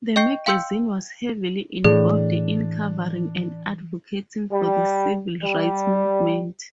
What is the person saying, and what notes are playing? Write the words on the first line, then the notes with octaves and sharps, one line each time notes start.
The magazine was heavily involved in covering and advocating for the civil rights movement.
D#5 G5 C#6 G6 C7
F5 G5 C6 E6 G6 C#7
A2 E3 D4 G#4
G3
G3